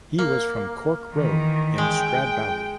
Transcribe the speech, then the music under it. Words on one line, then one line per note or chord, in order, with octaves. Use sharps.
He was from Cork Road in Stradbally.
A#3
D#3 E3
G#3 G5